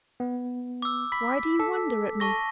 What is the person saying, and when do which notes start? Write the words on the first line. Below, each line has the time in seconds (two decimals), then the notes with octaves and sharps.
Why do you wonder at me?
0.20 B3
0.82 D6 E6
1.12 B5 B6
1.60 A4
2.20 A5 C#6 A#6